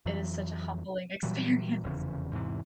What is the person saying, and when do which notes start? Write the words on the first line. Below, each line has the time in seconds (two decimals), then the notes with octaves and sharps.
It is such a humbling experience.
0.06 F2 E3 F#3
1.23 A#2 E3 F#3 G3
1.84 F1 E2 C#3
2.32 E2 G#2 C3 E3